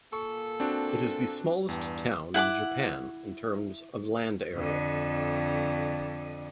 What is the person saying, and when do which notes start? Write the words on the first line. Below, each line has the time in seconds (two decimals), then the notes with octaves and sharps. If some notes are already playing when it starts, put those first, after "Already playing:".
It is the smallest town in Japan in terms of land area.
0.13 A#2 A#3 A4 C#6
0.60 C4 D4 F#4
1.68 E2 G2
2.34 E4 F#5 G#5 D6
4.56 F2 D3